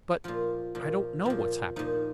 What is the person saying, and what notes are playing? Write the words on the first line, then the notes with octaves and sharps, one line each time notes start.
"But I don't know what's happened."
A#2 F3 F4
A#2 F3
A#2 F3
A#2 F3 D#4